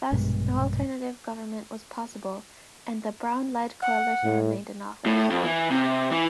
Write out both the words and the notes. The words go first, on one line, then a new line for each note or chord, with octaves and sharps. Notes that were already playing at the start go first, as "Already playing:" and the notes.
Thus, no alternative government was possible, and the Braun-led coalition remained in office.
A#1 G2 B2 G#3
F#5
A2
A2
F2
E3
C3
E3